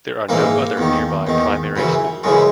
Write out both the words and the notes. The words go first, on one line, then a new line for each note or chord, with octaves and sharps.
There are no other nearby primary schools.
A#1 G#2 E3 A#3
E2 D#3
E2 D#3
F#2 C#3 E3
F#2 C#3 E3 G#3